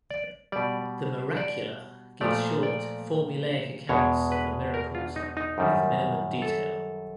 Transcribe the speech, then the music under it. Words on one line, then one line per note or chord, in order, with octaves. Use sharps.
The "Miracula" gives short formulaic accounts of the miracles with minimum detail.
D5
B2 G3 D5
D5
A#2 F3 A3 D5
D5
E2 B2 G#3 C#5
B4
A#4
F4
D#4
D#4
F#2 D#3 G3
A4